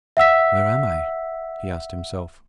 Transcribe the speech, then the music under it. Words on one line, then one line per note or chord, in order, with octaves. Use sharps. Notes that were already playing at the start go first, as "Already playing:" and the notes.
"Where am I?" he asked himself.
E5 F#5 E6 B6